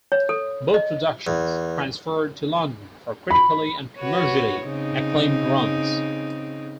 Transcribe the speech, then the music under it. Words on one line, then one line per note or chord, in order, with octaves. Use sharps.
Both productions transferred to London for critically and commercially acclaimed runs.
C#5
A4
D#5
E2
B5
F#4 B4 C#5
C#3 C4 D#4